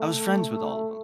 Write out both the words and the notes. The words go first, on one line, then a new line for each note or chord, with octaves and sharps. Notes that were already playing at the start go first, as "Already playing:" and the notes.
I was friends with all of 'em,
Already playing: A3